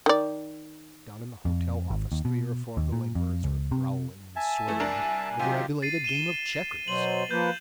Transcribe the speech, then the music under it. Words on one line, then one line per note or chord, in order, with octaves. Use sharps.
Down in the hotel office three or four of the labourers were growling and swearing over a belated game of checkers.
D#3 D5
F2
G#1
D#2
B2
D#2
A#2
F2
C#2
C3
E5 G#5 A5
E3 A3
C2 D4 A#4
C3 D#3 F#3 F4 G4
A6 C7 D#7
D#7 E7 G7
B2 F#3 C5 F#7
F3 A#3 B4 G6